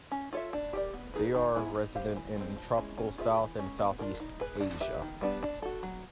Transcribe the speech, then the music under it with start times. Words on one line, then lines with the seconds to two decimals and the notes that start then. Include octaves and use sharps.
They are resident in tropical South and Southeast Asia.
0.11 C#4
0.33 F4 A4 C#5 E5
0.53 D4
0.73 G4 A#4 D5
0.94 B3
1.14 D#4 G#4 B4
1.34 D#3
1.55 G#3 B3 E4 G#4
1.75 D#4
1.95 G4 C5 F5
2.16 E3
2.36 G#3 C4
2.56 F3
2.77 G#3 C#4 E4
2.98 C#4
3.18 F4 G#4 C#5 E5
3.38 E3
3.59 G#3 C#4
3.79 B3
3.99 D4 F4 A#4
4.20 D#4
4.40 G#4 B4
4.60 D4
4.80 G4 B4 E5
5.02 D#3
5.21 G3 B3 D4
5.43 D4
5.62 F#4 A4
5.83 F#3